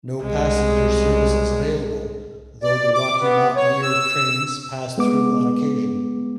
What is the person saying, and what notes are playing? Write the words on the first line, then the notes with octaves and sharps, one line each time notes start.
No passenger service is available, though the Rocky Mountaineer trains pass through on occasion.
C2 G#3
D5
D6
B3
C#5
E6
G#3 B3 D6